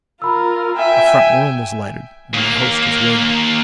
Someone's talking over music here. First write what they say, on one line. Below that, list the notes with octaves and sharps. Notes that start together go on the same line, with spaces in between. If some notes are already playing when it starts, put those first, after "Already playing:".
A front room was lighted; my host was waiting.
F4 A#4 A#5 B5 E6
E5 G5 G#5
D#2 A#3